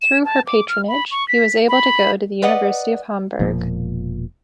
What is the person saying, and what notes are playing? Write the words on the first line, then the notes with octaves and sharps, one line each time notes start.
Through her patronage, he was able to go to the University of Hamburg.
E7
A5
D6
F6
B5
C#6
B6
B5
B4 D5 D#5 F#5
E1 A#2 F3 A#3